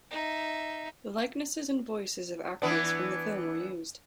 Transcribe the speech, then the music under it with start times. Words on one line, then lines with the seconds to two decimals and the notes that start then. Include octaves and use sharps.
The likenesses and voices of actors from the film were used.
0.11 D#4 E5
2.62 E3 B3 D4